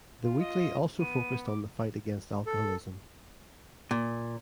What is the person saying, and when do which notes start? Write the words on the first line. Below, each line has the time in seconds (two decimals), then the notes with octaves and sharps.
The weekly also focused on the fight against alcoholism.
0.24 F4
0.39 D#5
1.01 B3 D#7
1.46 D6
2.46 A4
3.91 A#2